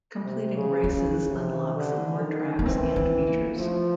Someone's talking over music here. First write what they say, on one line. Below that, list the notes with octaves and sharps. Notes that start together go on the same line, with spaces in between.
Completing races unlocks more tracks and features.
C3
C#3
C#3 C#4
C3
D3
D#3
B3
E3 C4
C4
A#3
F3 A3